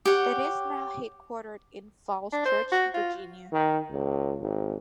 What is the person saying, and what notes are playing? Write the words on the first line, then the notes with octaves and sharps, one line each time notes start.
It is now headquartered in Falls Church, Virginia.
G4 C#5 F#5
D4
C5
F#4
F4
D#3
C#2
G#1